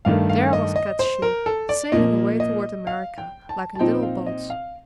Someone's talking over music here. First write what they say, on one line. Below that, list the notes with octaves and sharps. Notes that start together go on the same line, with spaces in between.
There was Kat's shoe sailing away toward America like a little boat!
G2 D#3 A3 F5
F5
D#5
D#5
C5
A#4
A4
D5
A#2 F3 A#3 D#5
D#5
F5
G5
A5
A5
A#2 F3 C4 D#4 G5
F5
D#5
F5